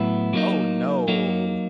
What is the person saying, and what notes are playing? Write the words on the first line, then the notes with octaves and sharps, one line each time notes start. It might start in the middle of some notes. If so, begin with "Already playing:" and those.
Oh, no.
Already playing: A2 F#3 B3 E4
F#3 A#3 D#4
F#3 A#3 D#4